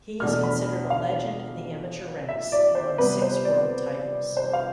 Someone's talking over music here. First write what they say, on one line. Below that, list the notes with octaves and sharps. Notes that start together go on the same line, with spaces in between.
He is considered a legend in the amateur ranks and won six world titles.
E2 B2 A3 D4 F6
B5
F5
E5
D5
C5
C3 G3 B3 B4
C5
D5
C5
F5